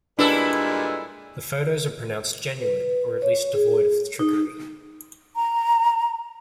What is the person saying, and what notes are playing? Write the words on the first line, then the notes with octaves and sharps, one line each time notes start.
The photos are pronounced genuine, or at least devoid of trickery.
A#2 G3 G#3 D4 E4 A4 B4 E6
B4
C#5
G#4
D#4
A#5